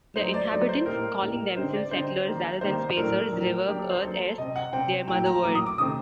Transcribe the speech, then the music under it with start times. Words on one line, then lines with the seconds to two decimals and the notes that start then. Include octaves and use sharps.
Their inhabitants, calling themselves "Settlers" rather than "Spacers", revere Earth as their mother-world.
0.16 F#3 A3 D#4 C5
0.34 D5
0.51 F#3 A3 D#4 D5
0.69 C5
0.86 A2 G3 A#3 D#4 A#4
1.21 A2 G3 A#3 D#4
1.57 D3 G3 C4 D#4 C5
1.74 D5
1.91 D3 G3 C4 D#4 C5
2.27 D#3 G3 A#3
2.61 D#3 G3 A#3 C5
2.97 A2 F#3 A3 D4 A#4
3.32 A2 F#3 A3 D4
3.67 F#3 A#3 D4 G4
3.79 A4
3.90 C5
4.02 F#3 A#3 D4 A4
4.38 C3 G3 C4 D#5
4.56 F#5
4.73 C3 G3 C4 G5
5.07 A2 F#3 A#3 G5
5.25 A#5
5.43 A2 F#3 A#3 D6
5.55 D#6
5.66 D6
5.78 C3 D#3 A3 C4 D#6